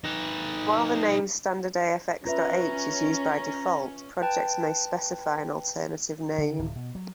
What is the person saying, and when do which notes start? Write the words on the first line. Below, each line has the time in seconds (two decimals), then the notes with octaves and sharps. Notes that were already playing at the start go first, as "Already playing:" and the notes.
While the name stdafx.h is used by default, projects may specify an alternative name.
0.04 D#4 B4
2.25 C#4 F4 B4 E5 A#5
4.22 B4 G5 A5
6.38 D3
6.59 D1
6.76 B2
6.95 F#3